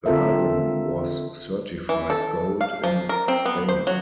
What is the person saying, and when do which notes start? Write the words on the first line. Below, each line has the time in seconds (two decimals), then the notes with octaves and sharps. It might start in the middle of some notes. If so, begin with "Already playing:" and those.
The album was certified Gold in Spain.
0.06 D3 C4 F4 A4 A#4 E5
1.89 E3
2.10 A4
2.61 F5
2.83 F3
3.09 A#4
3.28 C4
3.45 B3
3.69 C5
3.87 F#3